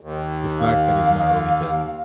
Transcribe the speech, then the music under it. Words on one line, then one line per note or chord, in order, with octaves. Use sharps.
the fact that he's not really been
D#2
F5